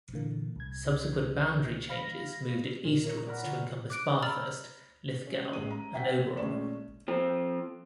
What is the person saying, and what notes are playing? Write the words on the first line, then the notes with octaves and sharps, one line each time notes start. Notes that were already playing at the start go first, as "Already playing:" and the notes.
Subsequent boundary changes moved it eastwards to encompass Bathurst, Lithgow and Oberon.
A#2 D3 E3 A#3
C2 G#6
F5 B5 F6 A#6
A#2
A#3 E4 A#4 C#5
D5 F#5 A#5 B5 F6
D3 F4 C#5 D5 F5
D6 F#6 D7
A#5 B5 E6 F6 A6
C#4
A1 G#3 D#7
A#5
E5 F#5 G5 B6
A#1 G#3 A3 C#4 D5 E7
F3 C4